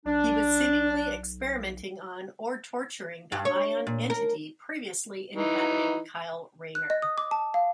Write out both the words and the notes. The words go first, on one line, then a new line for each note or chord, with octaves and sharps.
He was seemingly experimenting on or torturing the Ion entity previously inhabiting Kyle Rayner.
B1 D4
G2
C#5
A#2
A#4
E3 D#4
F#6
D#5
D#6
D6
A5
F5